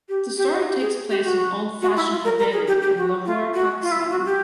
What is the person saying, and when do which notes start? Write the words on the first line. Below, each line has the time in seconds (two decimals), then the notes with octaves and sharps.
The story takes place in an old-fashioned "haveli" in Lahore, Pakistan.
0.09 G4
0.37 G4
0.52 D#4
0.66 G4
0.81 G#4
1.10 G4
1.24 F#4
1.82 F#4
1.96 E4
2.11 F4
2.24 A#4
2.39 A#4
2.53 G#4
2.68 G4
2.82 G4
2.97 F#4
3.26 F4
3.54 F#4
3.82 F4
3.91 E4
3.99 F4
4.11 F#4
4.26 G4